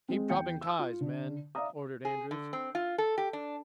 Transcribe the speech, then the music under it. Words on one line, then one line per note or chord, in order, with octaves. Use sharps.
"Keep dropping ties, men," ordered Andrews.
G#3 C4
E2 G5 C#7
E6
F4
D3
D5 E5 F5 A#5 D#6
G#4
D3
C4
F4
A4
G4
D4